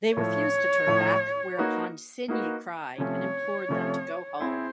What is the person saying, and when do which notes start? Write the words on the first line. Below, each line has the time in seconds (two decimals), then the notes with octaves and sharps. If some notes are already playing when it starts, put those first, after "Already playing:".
They refused to turn back, whereupon Signy cried and implored them to go home.
0.16 A2 F3 A3 C#5
0.87 A2 F3 A3
1.57 A#3 D#4 F#4 B4
2.28 A#3 D#4 F#4 B4
2.98 C3 F3 A3 C#4 C#5
3.69 C3 F3 A3 C#4
4.40 C4 E4 G#4 C5